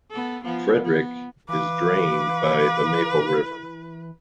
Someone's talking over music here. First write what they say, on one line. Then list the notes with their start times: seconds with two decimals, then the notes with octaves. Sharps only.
Frederick is drained by the Maple River.
0.11 B3 A4
0.44 F3 B3 F4
0.85 B3
1.49 E3 B4 F5 D6